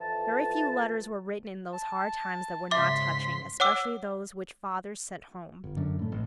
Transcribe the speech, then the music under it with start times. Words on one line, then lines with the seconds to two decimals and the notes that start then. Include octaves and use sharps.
Very few letters were written in those hard times that were not touching, especially those which fathers sent home.
0.01 F2 E3 A5
1.73 A5
2.71 G#2 C#3 E5 C6 D6 B6
3.60 C#5 F#5 D6 E6
5.64 G1
5.77 F#2 D3
5.99 A2 A3
6.12 A1 A2